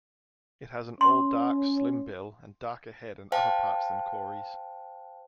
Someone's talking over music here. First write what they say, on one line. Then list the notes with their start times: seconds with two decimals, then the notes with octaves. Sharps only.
It has an all dark, slim bill, and darker head and upperparts than Cory's.
1.01 C#4 C6
3.32 C5 F5 G5 A5